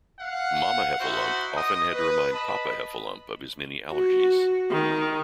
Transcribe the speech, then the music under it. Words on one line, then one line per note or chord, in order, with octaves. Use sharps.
Mama Heffalump often had to remind Papa Heffalump of his many allergies.
F5 F#5
D#4 E4 F#4 C5
D#5 D#6
B4
D#5 A5 B5
F#4
D#3